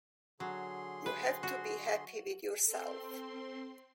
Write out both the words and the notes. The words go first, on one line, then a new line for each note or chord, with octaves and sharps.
You have to be happy with yourself.
D3 F#3 G#4 C6
B4
F#4
C4 A4 C6